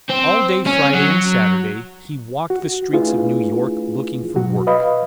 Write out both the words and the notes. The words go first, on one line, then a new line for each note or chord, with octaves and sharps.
All day Friday and Saturday he walked the streets of New York, looking for work.
C4
C#4
F#3
F#4
A3 D4 E4 F4 G#4 B4
B2 F#3 F#4
B4 D#5 F5 B5